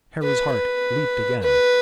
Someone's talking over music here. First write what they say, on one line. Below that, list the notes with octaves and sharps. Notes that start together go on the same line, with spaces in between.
Harry's heart leaped again.
B4
B4
B4